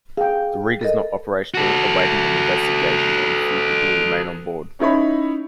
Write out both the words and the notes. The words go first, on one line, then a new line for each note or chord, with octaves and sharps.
The rig is not operational awaiting an investigation, and few people remain on board.
G#4 F5 G5
A4 A#4 D#5
F#4 A4
C#4 D#4 E4 C#5 B5